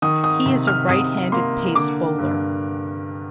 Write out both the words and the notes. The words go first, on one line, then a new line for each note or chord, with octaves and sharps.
He is a right-handed pace bowler.
D#3 D#6
D#6
C3
F6
C3 D#6
A#3 C6
D3 D6
G2